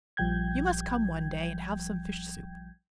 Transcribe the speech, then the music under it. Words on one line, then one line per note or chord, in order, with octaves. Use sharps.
You must come one day and have some fish soup.
A#1 F3 G3 G5 G6 G#6